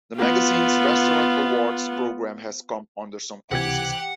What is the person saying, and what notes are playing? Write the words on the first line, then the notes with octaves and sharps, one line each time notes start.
The magazine's Restaurant Awards program has come under some criticism.
B3 F4
C#2 C3 E3 C4 G4 F#5 F#6 G#6